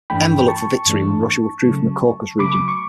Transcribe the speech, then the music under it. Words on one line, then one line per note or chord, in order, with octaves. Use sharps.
Enver looked for victory when Russia withdrew from the Caucasus region.
G2 E3 A3 D4 G5 B5
A5 C#6
G2 E3 A3 D4
C#3 F#3 A3
C#3 F#3 A3 B5 D6
C#6